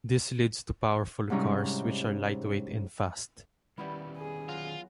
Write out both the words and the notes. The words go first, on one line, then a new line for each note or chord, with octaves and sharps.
This leads to powerful cars which are lightweight and fast.
G#2 C3 G3 C#4 D#4 E4
D#3 G3 B3 C#4 E4 G4
G#4
F#3 F4